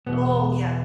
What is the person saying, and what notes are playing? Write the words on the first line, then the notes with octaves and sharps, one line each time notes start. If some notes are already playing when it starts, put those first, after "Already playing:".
Oh, yeah.
E2 B2 B3